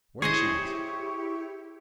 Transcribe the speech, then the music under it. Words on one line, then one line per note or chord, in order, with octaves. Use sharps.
"What cheese?"
E4 G4 G#4 C5 C#5 D#5